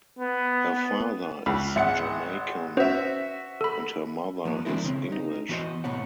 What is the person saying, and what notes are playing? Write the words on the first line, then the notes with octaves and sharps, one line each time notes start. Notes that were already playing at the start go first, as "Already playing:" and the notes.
Her father is Jamaican and her mother is English.
B3
C#2 B5
G#1 E5 F#5 C#7
C#4 F#4 B4 C5 E5
A4 B5
F3 A#3 B3
E3 G#3 C4 D4 E4 A#4
C#3 C4 C#4
D#4
E3 B3 F#4 B4 C5 D#5
A2 C3 B3 C#5 F#5